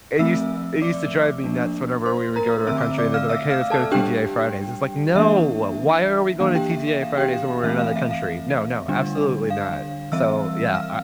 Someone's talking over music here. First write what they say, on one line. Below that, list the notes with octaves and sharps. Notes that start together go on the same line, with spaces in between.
It used it used to drive me nuts whenever we would go to our country, they'd be like, "Hey. Let's go to TGI Fridays." It's like, "No. Why are we going to TGI Fridays when we're in another country? No, no. Absolutely not." So, yeah, I
F3 A3 C4 E5 E6
D5 D6
F3 A#3 D4
C5 C6
A#4 A#5
D3 A3 C4 E5 E6
D6
E5 E6
D5 D6
F5 F6
E5 E6
F5 F6
A4 A5
G3 D4 G4 G5
E3 A#3 D4 E5
E3 A#3 D4 F5
G4 G5
E5
E5
F5
G4 G5
F5
F5
E3 A3 C4 E5
F5
E5
F5
D3 G3 D4
F5
E3 G3 C4 E5 E6
F5 F6